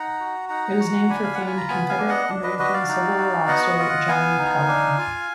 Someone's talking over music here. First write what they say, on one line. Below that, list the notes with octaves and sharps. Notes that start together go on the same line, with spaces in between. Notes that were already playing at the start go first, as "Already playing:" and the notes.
It was named for famed Confederate American Civil War officer John Pelham.
Already playing: D#4 F#5 A#5
F#4
D#4 F#5 A#5
F#4
D4 G#5 B5
F5
F4 F#5
G#5
A#5
B3 G#5 B5
F5 G#5
D4
D#5 F#5
D4
B4 D#5
F#4 B4 D#5
D5 F5
D#4
F#4
B3 D#5 F#5
F4
B3 F5 G#5
D#4
D4
F4